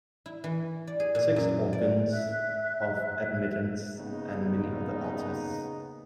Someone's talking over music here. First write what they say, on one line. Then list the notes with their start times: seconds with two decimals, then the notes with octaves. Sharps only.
Six Organs of Admittance and many other artists.
0.26 E4
0.44 E3
0.87 D5
1.00 G#4
1.15 A#2
1.36 F#2
1.73 D5
2.10 E5 F#6
3.96 C#3 A#3 B3 D#4